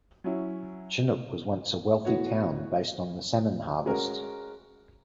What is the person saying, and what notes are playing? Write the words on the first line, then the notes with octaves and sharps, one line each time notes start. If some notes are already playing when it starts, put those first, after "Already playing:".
Chinook was once a wealthy town based on the salmon harvest.
F#3 C#4 E4
E3 B3 F#4 C#5
G#3 C#4 F#4 A#4